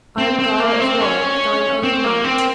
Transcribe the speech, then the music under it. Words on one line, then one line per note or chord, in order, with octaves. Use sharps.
I am Guy of Warwick, thine own knight.
C4
C4
A#3
C4
C#4
C4
A#3
C4